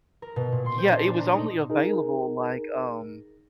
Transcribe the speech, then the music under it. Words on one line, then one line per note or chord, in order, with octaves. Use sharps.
Yeah. It was only available, like, um
A#4
B2
A#2
C6
C5
D4
D4
A#5
D#4
D#4 G#4 A#4